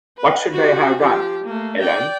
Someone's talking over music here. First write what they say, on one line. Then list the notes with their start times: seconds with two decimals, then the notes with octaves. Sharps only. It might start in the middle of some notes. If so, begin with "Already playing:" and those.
What should I have done, Ellen?
0.17 B4
0.53 F#4 G4
0.98 F3 G4
1.44 A3 A#3
1.80 D5 G5